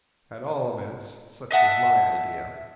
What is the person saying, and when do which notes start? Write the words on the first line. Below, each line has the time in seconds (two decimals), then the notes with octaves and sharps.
At all events, such was my idea.
1.51 D#5 E5 F#5 A5